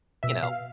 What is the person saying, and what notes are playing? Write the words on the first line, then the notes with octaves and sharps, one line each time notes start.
you know
B2 E5
B2 F5